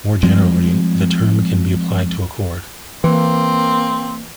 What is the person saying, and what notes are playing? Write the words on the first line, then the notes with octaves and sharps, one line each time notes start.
More generally, the term can be applied to a cord.
F3 G3 G#3 C4
E3 A#3 C4